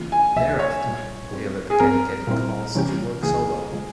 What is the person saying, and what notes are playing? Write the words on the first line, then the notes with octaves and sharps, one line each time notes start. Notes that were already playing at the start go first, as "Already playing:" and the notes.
Thereafter, Taylor began getting calls to work solo.
Already playing: C#3 E3 A#3 C#4 F4
G#5
C#2 C3 F3 A#3 E5
C#5
C2 A#2 G3
G#2 G3 C4
G#4
G2 F3 C4 A#4
A#2 G3 C4 E4
C3 E3 G3 C#4 G4
C#2 C#3 E3 A#3 E4 G#4
C#3 F3 G#3